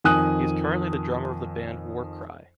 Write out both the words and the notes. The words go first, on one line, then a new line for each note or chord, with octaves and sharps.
He is currently the drummer of the band WarCry.
F2 D#3 G#5 D#6 F#6